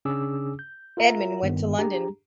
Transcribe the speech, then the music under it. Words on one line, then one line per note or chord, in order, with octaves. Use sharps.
Edmund went to London.
C#3 C#4 D4 G#4 D6 E6
G6
F4 A#4 E5 A#5
G2 D#3 B3
D4 G4 G#4 A#5